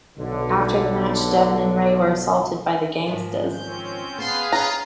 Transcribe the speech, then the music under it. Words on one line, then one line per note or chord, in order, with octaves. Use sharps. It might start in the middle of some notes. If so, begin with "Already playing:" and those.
After the match Devon and Ray were assaulted by the Gangstas.
B1 D3
G#2 D#3 F3
C4 C#4 G6
B3 F4 G#4 B4 F5 A5 C6
C#4 F4 A#5